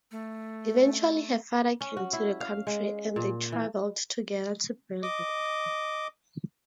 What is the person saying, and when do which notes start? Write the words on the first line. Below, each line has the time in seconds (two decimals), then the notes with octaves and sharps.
Eventually her father came to the country and they traveled together to Berlin.
0.12 A3
1.81 C#4
1.97 F#4
2.13 E4
2.40 F5
2.67 G#3
3.16 A#2
3.52 E3
5.03 D#5 D6